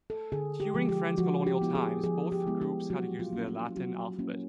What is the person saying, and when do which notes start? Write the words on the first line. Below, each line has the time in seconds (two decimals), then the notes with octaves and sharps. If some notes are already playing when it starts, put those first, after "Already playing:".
During French colonial times, both groups had to use the Latin alphabet.
0.10 A4
0.32 D3 G#4
0.60 G4
0.74 F3 G#3
0.89 G4
1.18 F3 F#4
1.47 G4
1.60 G#3 B3 E4
1.75 G#4
2.04 F3 G#4
2.32 G4
2.47 G#3 B3 E4
2.61 G4
2.90 F#3 F#4
3.19 F4
3.33 A#3 C#4 E4
3.48 F4
3.77 F#3 F#4
4.19 A#3 C#4 E4